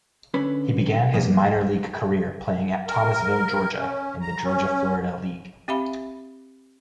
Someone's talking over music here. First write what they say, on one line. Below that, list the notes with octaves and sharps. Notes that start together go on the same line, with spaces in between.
He began his minor league career playing at Thomasville, Georgia, in the Georgia-Florida League.
D3 C#4 B4 B5
A#2 F3 A#3 B3
A#4
C#4
A#5
C#4
C4 G4 E5 F5 B5